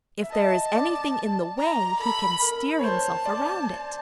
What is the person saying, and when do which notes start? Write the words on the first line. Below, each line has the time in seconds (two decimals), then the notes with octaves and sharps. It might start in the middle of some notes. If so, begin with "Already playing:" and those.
If there is anything in the way, he can steer himself around it.
0.21 E5
0.31 D#5 A5
0.74 D5
1.58 A#5
1.99 A4 B5
2.41 A#4
2.79 C#5
2.84 C5 A5
3.26 D5